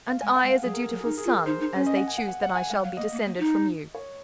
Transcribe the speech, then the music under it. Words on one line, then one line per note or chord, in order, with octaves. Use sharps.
"And I as a dutiful son, as they choose that I shall be descended from you."
F5
G#3 G#5
F#5
G#3
F5
F#3 G#4
A#4
G#4
F#3
G#4
D#4 A#4
G#4
F4
A#4
D#4 C5
D#4
C#4
D#5
F#5
G#5
F#5
F#5
F#5
G#5
G#3 F#5
F#3 F5
A#3 D#5
A#3
A#3
D#4
C#5